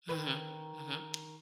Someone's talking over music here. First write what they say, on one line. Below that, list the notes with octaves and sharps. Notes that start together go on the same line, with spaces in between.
Mhm. Mhm.
D#3 B4